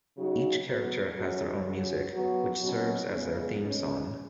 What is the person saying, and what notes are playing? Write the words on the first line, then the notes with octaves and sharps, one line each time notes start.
Each character has their own music, which serves as their theme song.
C#3 F#3 D#4 F#4
F#3 B3 F#4
F#3 C#4 F#4
C#3 F#3 C#4 F#4
F#3 B3 F#4
B2 F#3 C#4 F#4
C#3 G#3 B3
B2 G#3 C#4